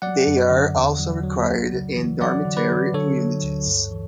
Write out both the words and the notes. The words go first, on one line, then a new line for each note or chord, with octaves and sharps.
They are also required in dormitory units.
F#3 D5 F#5
F#2
D3
E2
F#3
F#3
C#2
C#3
E3
F#3 D5 F#5
D3
B4 D5
F#3
D3 A4 C#5
F#3
D2
G2
E3